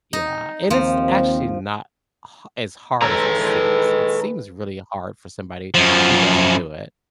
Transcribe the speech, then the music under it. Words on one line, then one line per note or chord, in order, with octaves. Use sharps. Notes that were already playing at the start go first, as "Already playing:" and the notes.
Yeah, and it's actually not h as hard as it seems, it seems really hard for somebody who doesn't do it,
D#4
D#2 F3 C4
D#3 G#3 A4 B4 C#5 A#5
F#2 F3